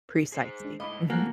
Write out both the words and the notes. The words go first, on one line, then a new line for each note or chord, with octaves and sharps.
Precisely, mhm.
G#4 C5
G#3 D4
G#2 A3 E4 D#5 F5 B5 D6
B2 D#3 E3 A#3 F#4 A4 G#5